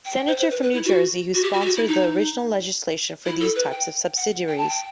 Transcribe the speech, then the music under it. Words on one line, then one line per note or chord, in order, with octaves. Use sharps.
Senator from New Jersey who sponsored the original legislation for these types of subsidiaries.
G5
G5
C5
C5
B4
B4
E4
F#4
F#4
G4
F#4
G4
F#4
E4
D#4
E4
A4
B4
G5
F#5
G5
A5
G5